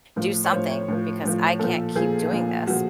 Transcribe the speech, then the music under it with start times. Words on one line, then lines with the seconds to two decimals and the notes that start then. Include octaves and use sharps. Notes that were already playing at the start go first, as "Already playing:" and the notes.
Do something because I can't keep doing this."
0.16 A2 F3
0.44 C#5
0.52 A2 F3 C5
0.71 C#5
0.88 A2 F3
1.24 A2 F3
1.59 A#2 F3 A4
1.95 A#2 F3 G#4
2.31 A#2 F3
2.67 A#2 F3 F#4